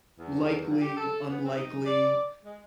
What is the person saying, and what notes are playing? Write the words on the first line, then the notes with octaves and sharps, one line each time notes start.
likely, unlikely?
E2
A#2
G4
A4
B3
C4
D#4
D5
G#3